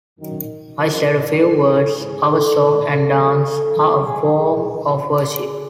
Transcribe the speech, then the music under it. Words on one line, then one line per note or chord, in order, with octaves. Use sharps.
I said a few words: 'Our song and dance are a form of worship.
F#2 D#3
F#2 C#3 F3 A#4
G#2 E3 A4
G#2 E3 G#4
A4
G#2 D#3
A4
F2 C3 D#3
A4
F2 D3 F3
G#4
G#2 F3 G#4
F2 D3 F3 G#4
G#4